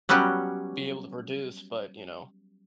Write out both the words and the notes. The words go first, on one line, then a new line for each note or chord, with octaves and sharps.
be able to produce, but, you know,
F#3 G3 B3 C#4 F#4 G4